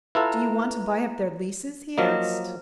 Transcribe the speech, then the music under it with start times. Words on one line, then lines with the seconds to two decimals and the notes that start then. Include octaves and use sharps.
"Do you want to buy up their leases?" he asked.
0.15 E4 F4 A4 B4 A#5
1.98 F3 F#3 A#3 A#4 D#5